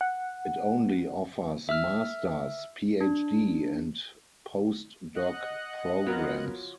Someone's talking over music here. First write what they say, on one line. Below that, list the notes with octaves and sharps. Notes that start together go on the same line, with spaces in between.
It only offers Master's, PhD, and Postdoc programs.
F#5
E5 E6 F6
D4
D#5 F#5 F#6
F#3 B3 F4 A#4